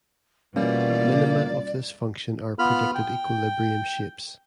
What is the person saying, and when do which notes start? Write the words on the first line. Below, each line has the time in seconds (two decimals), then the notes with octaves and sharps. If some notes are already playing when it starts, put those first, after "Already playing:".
Minima of this function are predicted equilibrium shapes.
0.56 B2 E3 G3 A#3 C#4 F4 D5
2.59 B3 F4 B5 F6
2.95 G5